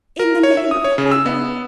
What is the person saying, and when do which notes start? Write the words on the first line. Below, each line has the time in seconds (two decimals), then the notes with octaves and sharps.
"In the name of heaven!"
0.19 A#4
0.43 C#5
0.57 E5
0.71 D#6
0.84 C#5
0.98 C#3
1.11 E6
1.26 B3